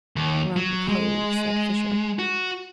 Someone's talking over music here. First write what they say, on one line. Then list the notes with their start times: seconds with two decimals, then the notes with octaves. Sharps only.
"Rum cove," said Fisher.
0.16 D#2
0.56 F#3
0.88 G#3
2.19 F#4